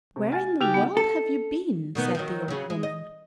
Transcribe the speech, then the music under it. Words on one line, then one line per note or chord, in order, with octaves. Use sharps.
"Where in the world have you been?" said the old woman.
C3
G#5 F6 A6
C#3 D#4 F#4 G4
B3 F#5
A4
B2 D#3 B3
D#3 F#3
C#3 F#3
G#3
D#5